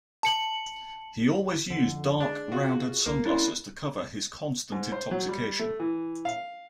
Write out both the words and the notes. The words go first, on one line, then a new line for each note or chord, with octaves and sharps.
He always used dark rounded sunglasses to cover his constant intoxication.
A5 C#7 F#7
F2 D3
G#3 D4
C3 F4 F#4 G#4
C2 A#3
C#4 D4 E4 F5 C6
G#2
C5
F#3
G3
A3
E3
F5